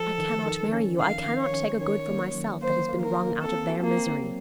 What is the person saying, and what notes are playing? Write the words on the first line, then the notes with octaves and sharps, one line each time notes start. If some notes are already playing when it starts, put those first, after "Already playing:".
I cannot marry you; I cannot take a good for myself that has been wrung out of their misery.
Already playing: F3 A4
D#3
D#3
C#4
D#3 F5
D#3
C#5
C#4
D#3 C#5
A#3
F#3
A#3 C5
A#3
A#4
A#3
C4 A4
F#4
A#3
C4
F#3